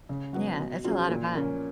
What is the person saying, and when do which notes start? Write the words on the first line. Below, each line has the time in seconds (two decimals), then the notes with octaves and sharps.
Yeah, it's a lot of fun.
0.09 C#3
0.33 F#3 B3 F#4
0.59 B2
0.84 F#3 C#4 F4 G#4
1.09 A#2
1.33 F3 A#3 C#4